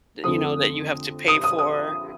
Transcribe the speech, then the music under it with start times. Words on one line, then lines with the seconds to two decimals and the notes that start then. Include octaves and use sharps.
that, you know that you have to pay for.
0.24 F2 D3 F3 A3 D#6
1.28 D#6
1.44 D#6
1.59 D#6